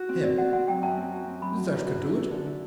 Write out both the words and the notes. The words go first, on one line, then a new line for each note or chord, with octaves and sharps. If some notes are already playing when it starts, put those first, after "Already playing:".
HIM: That could do it.
Already playing: F#4
C4
C4 D5
F#4 F#5
C4 F#5
F#3 G5
F#2 A5
C4
F#4
C4
F#3 B5
F#2
F#3
F#4
E4
E4
D3
E4